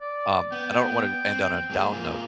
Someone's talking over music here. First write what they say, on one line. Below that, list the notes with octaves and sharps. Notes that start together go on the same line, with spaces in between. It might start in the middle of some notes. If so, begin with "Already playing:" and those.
Um, I don't wanna end on a down note,
D5
B3 G5
C4
G2 A#3 G#4
G#2 A#3 F4